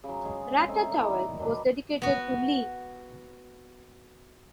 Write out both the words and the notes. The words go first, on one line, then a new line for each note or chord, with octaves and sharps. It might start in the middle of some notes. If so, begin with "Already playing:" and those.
Ratatouille, was dedicated to Lee.
C#3 F#3
G#3 G#4
A3 C4 D#4
D#4 E4 A#4 D5
D#3 E5
D#3 F#3 D4 B4
B3 F#4